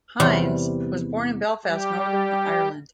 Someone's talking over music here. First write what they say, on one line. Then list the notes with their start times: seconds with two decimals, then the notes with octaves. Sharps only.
Hinds was born in Belfast, Northern Ireland.
0.20 E2 C3 G3
1.65 G3 G4